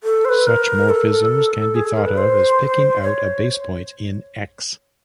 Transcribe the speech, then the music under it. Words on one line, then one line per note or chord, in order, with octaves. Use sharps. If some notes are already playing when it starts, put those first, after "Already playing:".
Such morphisms can be thought of as picking out a basepoint in "X".
A4
C5
B4
A#4
A4
G#4
A4
A#4
B4
C5
C#5